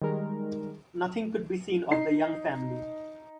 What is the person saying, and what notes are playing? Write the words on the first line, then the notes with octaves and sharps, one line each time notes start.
Nothing could be seen of the young family.
D#3 G3 G#3 A#4
D#4 C7